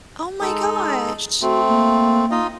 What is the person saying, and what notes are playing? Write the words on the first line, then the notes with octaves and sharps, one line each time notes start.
Oh my gosh.
G#3 D#4 A4
A3 C4 F#4
A#3
D#4 F4 D#5